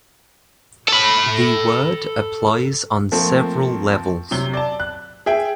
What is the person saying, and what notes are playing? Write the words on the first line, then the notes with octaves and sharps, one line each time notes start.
The word applies on several levels.
A4 B5
F3 A3 A#3 C4
C3 F#3 G7
D5 A5
F#6
G#4 E5 G5